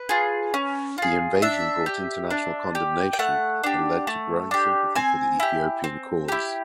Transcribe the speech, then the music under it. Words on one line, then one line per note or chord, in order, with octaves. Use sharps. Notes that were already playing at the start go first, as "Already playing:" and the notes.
The invasion brought international condemnation and led to growing sympathy for the Ethiopian cause.
Already playing: B4
F4 G#4
C#4
F4 G#4
D4 E5
G4
D4
G4
G5
A3 F#5
D4 G4
A3
D4 G4
C4 G#5
E4 G4
C4
E4 G4